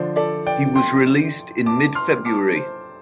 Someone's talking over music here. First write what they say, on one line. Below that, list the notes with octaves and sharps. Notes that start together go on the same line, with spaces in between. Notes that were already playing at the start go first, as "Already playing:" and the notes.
He was released in mid-February.
Already playing: D3 F3 D4 C5
A4 D5
D5 G5
G5 C6
A5 D6
C6 F6
A5 D6
C5